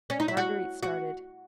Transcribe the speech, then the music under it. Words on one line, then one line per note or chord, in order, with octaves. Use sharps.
Marguerite started.
C#4
D#4
E4
F#4
F#4